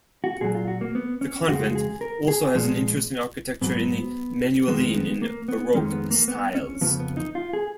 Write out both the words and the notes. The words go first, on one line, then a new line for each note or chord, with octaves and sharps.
The Convent also has interesting architecture in Manueline and Baroque styles.
F#4
A#2 F#3 G#4
F4
F#4
A#3
B3
C#4
F2 C#3 G#3 F#4
G#4
A#4
G#4
A#2 F3 G#3 B3
G#2 F#3 B3
F2 D#3 G#3 B3
B3
A#3
B3
F2 D#3 G#3 C#4
B3
A#3
B3
C#4
F2 C#3 F3 B3
B3
D#4
F4
G#4